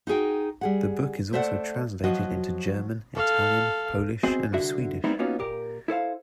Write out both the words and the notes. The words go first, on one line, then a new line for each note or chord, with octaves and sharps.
The book is also translated into German, Italian, Polish and Swedish.
D#4 F#4 G#4 G5
G3 G#4 F#5
A3 C5 D5 E5 F#5
F3 F#3 F#4 D#5
A4 F5
B3 C4 F#4 G#4 C5 D#5
C2 D3 F#4 E5
G3 A3 B3 C4 D#4 E4
A#3 B3 C#4 D#4 F4 F#4
A#2 G4 A#4
E4 A4 C5 F5